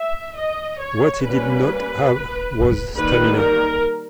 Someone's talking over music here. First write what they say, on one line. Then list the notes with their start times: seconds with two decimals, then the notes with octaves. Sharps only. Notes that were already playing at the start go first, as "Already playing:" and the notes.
What he did not have was stamina.
Already playing: E5
0.37 D#5
0.80 C#5
1.23 G3 A#3 C#4 B4
2.96 D#3 G3 A#3 B4
3.40 A#4